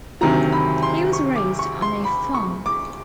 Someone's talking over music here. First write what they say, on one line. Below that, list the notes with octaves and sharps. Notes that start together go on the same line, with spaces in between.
He was raised on a farm.
D2 C3 D#3 F#3 A#5
B5
C6
C#6
D6
C#6
C6
B5
C#6
D6